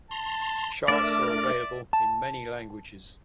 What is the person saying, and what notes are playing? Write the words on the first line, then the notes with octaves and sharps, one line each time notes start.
Charts are available in many languages.
A5 A#5 C6
A3 D4 A#4 D5 E5 D6
A5